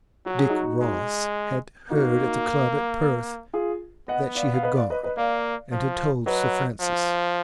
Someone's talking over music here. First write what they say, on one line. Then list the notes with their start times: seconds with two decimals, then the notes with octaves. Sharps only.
Dick Ross had heard at the club at Perth that she had gone, and had told Sir Francis.
0.26 F#3 F#4
0.39 G#4
0.49 D#4 F#4
0.81 G#3
1.90 A#3 D#4 F#4
3.53 F4 G#4
4.08 B3 D#5 F#5
4.35 D5 F5
4.54 F5
4.63 B4 D#5
4.76 D5 F5
4.90 B4 D#5
5.03 B4 D#5
5.17 A#3 D5 F5
5.72 F3
6.26 F#3 B4 D#5
6.81 F3